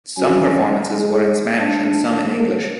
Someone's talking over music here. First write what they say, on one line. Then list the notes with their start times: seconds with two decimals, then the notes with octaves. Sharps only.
Some performances were in Spanish and some in English.
0.17 F#3 C#4
0.89 G#3
1.60 D4
2.33 A#3